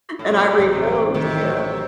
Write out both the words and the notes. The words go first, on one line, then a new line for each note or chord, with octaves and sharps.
and I read those, yeah.
A2
A#2 F#3
A1
C3
A1
A2 C3 D#3
F#3